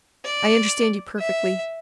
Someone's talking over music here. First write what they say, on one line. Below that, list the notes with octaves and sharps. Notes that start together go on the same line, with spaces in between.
I understand you perfectly.
D5
E5